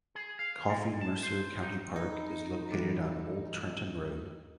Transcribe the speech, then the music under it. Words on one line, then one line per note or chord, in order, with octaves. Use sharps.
Coffee Mercer County Park is located on Old Trenton Road.
G#4
F5
A#2
A5
C5
D#4
D#4 B5 D#6
E3 G3 A4